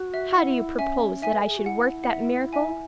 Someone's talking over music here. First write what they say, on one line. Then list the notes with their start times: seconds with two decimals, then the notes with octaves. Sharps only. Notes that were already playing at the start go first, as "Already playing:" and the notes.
'How do you propose that I should work that miracle?'
Already playing: F#4
0.14 E5
0.36 E4 F#5
0.79 C#4 E5 G#5
1.22 D#4 E5 G#5
1.33 B4
1.42 A4
1.50 G#4
1.58 F#4
1.66 E4 F#5
2.04 F#5
2.09 E5
2.53 E5 G#5